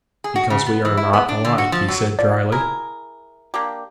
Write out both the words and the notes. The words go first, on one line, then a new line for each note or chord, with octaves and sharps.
"Because we are not alike," he said drily.
G#4
F#4
C#3
B3
E3
E4
B3
D4
D3
F#4
F3
F#3
F3 D5
E4 G#4 A#4
A#3 D4 G4